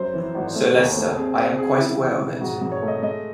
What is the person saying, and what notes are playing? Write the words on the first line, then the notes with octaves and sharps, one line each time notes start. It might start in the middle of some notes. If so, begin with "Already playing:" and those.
Sir Leicester, I am quite aware of it.
Already playing: F#2 C5
E3
G#1
A3
D#2
A3
C4 G#4
C4 C5
C4 G#4
C#3 E4
E2
E1
G#2 F#4
F#4
G#2
C#5
A3
D#5
G#3 D#5